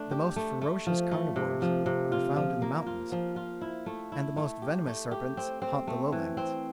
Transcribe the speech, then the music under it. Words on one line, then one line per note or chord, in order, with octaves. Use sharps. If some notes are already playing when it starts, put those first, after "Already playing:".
The most ferocious carnivores are found in the mountains, and the most venomous serpents haunt the lowlands.
Already playing: A3 D4
G4
A3
A3
F3
A3
C3
F3
C3
F4
F3
A#3
F4
F3
F4
E4
A3
E4
A3
G4
A3
G4
C4
C4
A3
E3
C4